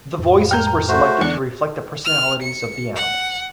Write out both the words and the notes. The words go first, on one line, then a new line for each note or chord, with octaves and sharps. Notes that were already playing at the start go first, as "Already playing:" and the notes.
The voices were selected to reflect the personalities of the animals.
F2 A2
G5 A#5 F6 G6
A#5
A3 F#4 C5
E2 D3 F#5 C#6 F#6
F6
C#7
F#5